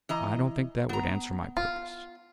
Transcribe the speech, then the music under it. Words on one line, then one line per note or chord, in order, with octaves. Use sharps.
'I don't think that would answer my purpose.
E3 D#5 A#5
B3 A#5
F4